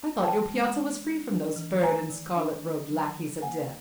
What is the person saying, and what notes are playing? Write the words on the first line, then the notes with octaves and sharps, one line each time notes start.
I thought your piazza was free from those furred and scarlet-robed lackeys of death.
E3 G5 A5
G#3
D4
D4
D4
E3
A3 G#5 A#5
D#3
D4
A3
F#3
D#3
A#3 F#5 G#5